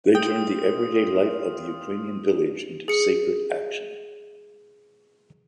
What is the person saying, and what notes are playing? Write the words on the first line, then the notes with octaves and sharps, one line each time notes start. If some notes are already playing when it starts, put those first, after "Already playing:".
They turned the everyday life of the Ukrainian village into sacred action.
F4 G5 D#6
G#4 C#7